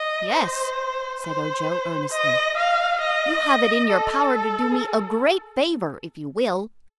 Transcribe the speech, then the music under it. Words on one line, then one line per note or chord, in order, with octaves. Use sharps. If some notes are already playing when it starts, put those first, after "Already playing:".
"Yes," said Ojo earnestly, "you have it in your power to do me a great favor, if you will."
Already playing: D#5
C5
C5
D#5
F5
D#5
A4